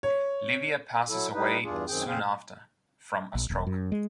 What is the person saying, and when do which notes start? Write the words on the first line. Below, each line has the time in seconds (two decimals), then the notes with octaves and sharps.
Livia passes away soon after from a stroke.
0.03 C#5
1.09 F#3 E4 A4
1.33 G3 D#4 E4 B4
1.64 E2 G2 D4 F4 G#4
1.88 F#2 D#3 C4 G#4 G5
2.07 F2 C#3 C4 G#4 C5 F5
3.35 A#1
3.50 D#1
3.67 F#2
3.92 G#3